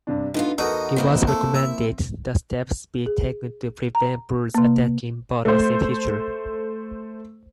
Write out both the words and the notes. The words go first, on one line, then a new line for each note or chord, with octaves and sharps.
It was recommended that steps be taken to prevent birds attacking bottles in future.
G2 C3 D4
D3 B3 D#4 F4
E2 B3 D#4 F#4 A4 A#4
F3 A#3 C4 E4
A3
E5
G#4
A#5
C3 A#3
A3 C5